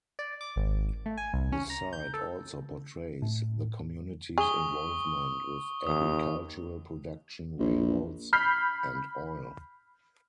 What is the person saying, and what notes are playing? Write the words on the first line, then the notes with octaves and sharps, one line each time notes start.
The site also portrays the community's involvement with agricultural production, railroads, and oil.
D5
D6
G#1
A3
G#5
C2
C#4
A#5
G6
A4
A2
G#4 C#6 D#6 G7
D#2 D#6
A#1
B5 F6 G6 B6 C7